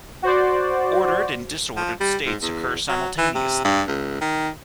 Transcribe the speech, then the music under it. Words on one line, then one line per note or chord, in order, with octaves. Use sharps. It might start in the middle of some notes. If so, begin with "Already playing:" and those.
Ordered and disordered states occur simultaneously.
F#4 C5 D5
F3
G3
G#2
E2
F#3
E3
C3
G2
C#2
D#3